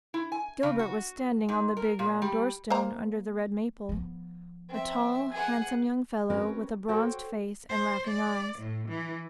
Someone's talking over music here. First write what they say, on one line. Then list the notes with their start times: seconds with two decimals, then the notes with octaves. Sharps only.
Gilbert was standing on the big round door-stone under the red maple--a tall, handsome young fellow with a bronzed face and laughing eyes.
0.14 E4
0.32 G#5
0.63 C#3
0.79 F#4
1.49 G#2
1.77 A#4
1.99 A#2
2.22 G3
2.70 A#3 C5 A#5
3.89 F3 B3
4.69 C4 E5
5.31 G#4 F#5 G#5
6.30 C4 C#4 F#4 A#4 B4 C#5
6.88 F#4 A4 C5 C#5 F#5 G5
7.69 C5
8.07 D5
8.59 A2
8.89 E3